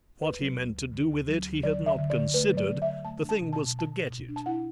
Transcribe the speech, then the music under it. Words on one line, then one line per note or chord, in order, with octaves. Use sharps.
What he meant to do with it he had not considered, the thing was to get it.
D2 B4
F#3
D2
D2
D3
D2
F#3
D2
F#3 D5
D3
E5
D3
D5
D3
A3 B4
F#3
D5
D3
D3 E5
A3 A5
D4
A5
B2
A5
B2
B2 A5
B2
B2
D4
A5
E4 F#5